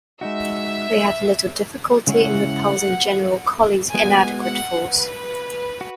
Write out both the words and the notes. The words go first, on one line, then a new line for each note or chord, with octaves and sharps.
They had little difficulty in repulsing General Colley's inadequate force.
G#3 D#4 F#4 E5
C#3 G#3 C#4 E4 F#5
G#3 B3 F#4 G#5
F#5
B4
F#4